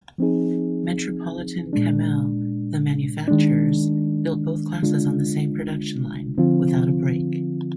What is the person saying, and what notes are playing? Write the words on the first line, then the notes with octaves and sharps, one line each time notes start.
Metropolitan-Cammell, the manufacturers, built both classes on the same production line, without a break.
F3 C4 D#4 G#4
A#2 G#3 D4
D#3 G#3 D4
D3 G#3 D4 F4
D3 F3 C4 F4